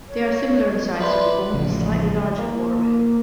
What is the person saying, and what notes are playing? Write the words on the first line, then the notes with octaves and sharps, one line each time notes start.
They are similar in size to the only slightly larger water rail.
C#5
B4 D5 E5 C6
A1 C#3 F3
A#3